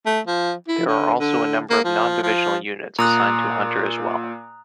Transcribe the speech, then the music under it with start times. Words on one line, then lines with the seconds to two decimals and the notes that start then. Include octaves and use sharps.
There are also a number of non-divisional units assigned to Hunter as well.
0.06 A3
0.27 F3
0.68 E4
0.87 D3
1.19 D3
1.70 A#3
1.84 F3
2.23 F3
2.99 A#2 A#5 D#6 F#6